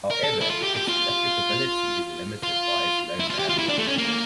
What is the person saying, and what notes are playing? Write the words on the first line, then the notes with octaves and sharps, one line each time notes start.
However, its applicability is limited by its low bandwidth.
A#4
A4
E4
F4
G4
G4
F4
F4
E4
F4
G4
F4
E4
D4
A3
C#4
A#3